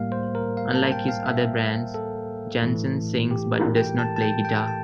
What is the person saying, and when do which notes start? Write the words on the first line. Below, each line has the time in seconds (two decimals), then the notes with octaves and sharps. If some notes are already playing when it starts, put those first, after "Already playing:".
Unlike his other bands, Jansen sings but does not play guitar.
Already playing: A2 G3 A#3 F5
0.12 C5
0.35 A#4
0.57 F5
0.75 A5
0.92 G5
1.08 F5
1.26 E5
1.94 A4
2.62 A2 E3 A3
3.31 G4
3.53 A#4
3.76 G5
3.99 A5
4.16 A5
4.22 G5
4.45 G5
4.68 A5